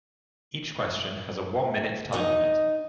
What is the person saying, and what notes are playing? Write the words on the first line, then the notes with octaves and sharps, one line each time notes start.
Each question has a one-minute time limit.
D#4 D#5